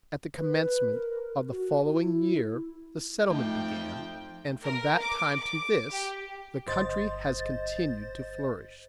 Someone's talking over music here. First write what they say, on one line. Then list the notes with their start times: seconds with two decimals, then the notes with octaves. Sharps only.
At the commencement of the following year the settlement began; and from that time to this the country has continued to flourish.
0.37 B4
0.57 B4
0.92 A#4
1.51 F#4
1.89 E4
3.30 F2 F3 A3 D#4 G5
4.64 A#4
5.01 D6
5.40 D6
5.91 G4
6.67 G1 C5 D#5 A6